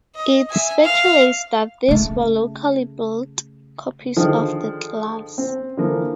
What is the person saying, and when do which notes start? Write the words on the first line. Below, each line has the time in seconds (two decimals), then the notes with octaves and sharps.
It speculates that these were locally built copies of the class.
0.15 D#5
0.50 E5 G#5
0.84 F5
1.88 C#3 A3
4.16 D3 D#3 F3 G#4
5.38 C4
5.77 D3 E3 F3 A#3